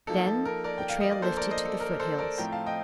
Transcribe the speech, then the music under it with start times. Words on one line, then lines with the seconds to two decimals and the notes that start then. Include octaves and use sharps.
Then the trail lifted to the foothills.
0.07 F3 A#3 D#4 A4
0.26 A4
0.45 A#4
0.64 A#4 D5
0.78 G5
0.89 F5
1.01 D#5
1.11 D5
1.22 F3 A#3 D4 A4 C5
1.37 A#4 D5
1.51 C5 D#5
1.65 A4
1.80 A#4
2.00 A4 C5
2.18 A#4 D5
2.38 A2 F3 A3 C4 G5 A#5
2.52 F5 A5
2.66 D#5 G5